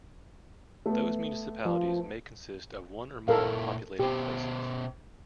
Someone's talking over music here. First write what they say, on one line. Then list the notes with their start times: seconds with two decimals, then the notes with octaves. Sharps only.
Those municipalities may consist of one or more populated places.
0.86 A3 B3
1.65 F3
3.28 A#2 E4 A4 A#4 F5
3.99 B2 B3 G4 C5